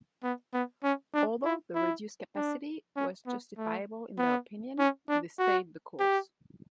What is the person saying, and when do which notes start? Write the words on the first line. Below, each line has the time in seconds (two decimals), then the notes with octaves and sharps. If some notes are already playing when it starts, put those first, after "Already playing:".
Although the reduced capacity was justifiable in their opinion, they stayed the course.
0.23 B3
0.54 B3
0.83 C#4
1.14 D4
1.44 E4
1.74 E4
2.36 D4
2.96 C#4
3.27 B3
3.57 A3
4.18 B3
4.79 C#4
5.09 D4
5.39 F#4
6.00 G4